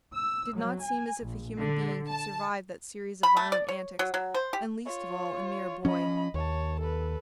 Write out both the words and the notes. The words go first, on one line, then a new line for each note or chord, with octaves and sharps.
It did not seem as if a human being could survive that series of violent antics, and least of all a mere boy.
E6
F#3
G#5
A#1
D3
A5
B5
A3
D5
C#5
F#3
F#3
C5
G4
F4 C#5
F3 C#4 D#5 B5
D#2 C#5 A5
A4 B4